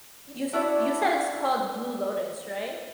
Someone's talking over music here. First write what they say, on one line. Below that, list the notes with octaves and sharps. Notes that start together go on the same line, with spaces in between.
You s you said it's called Blue Lotus, right?
D4 E4 F#4 C#5 D5 E5